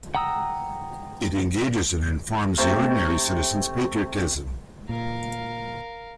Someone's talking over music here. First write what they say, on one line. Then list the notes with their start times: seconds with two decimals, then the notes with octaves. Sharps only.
It engages and informs the ordinary citizen's patriotism.
0.15 F#5 G5 A#5 D#6 E6
2.58 C3 A3 C5
4.89 A#2 A#4 F5